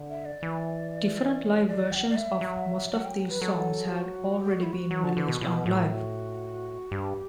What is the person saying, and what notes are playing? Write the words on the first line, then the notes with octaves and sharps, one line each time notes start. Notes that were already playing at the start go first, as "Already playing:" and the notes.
Different live versions of most of these songs had already been released on Live!
Already playing: D3
E5
D5
E3
C#5
D5
G5
F#5
D5
E5
F#3
F#5
G5
B4
F#3 A4
F#4
G4
F#4
E4
F#4
F#3
D3
D3
B2
B2 E4
B4
A2 F#4
F#4
F#4
G2 G4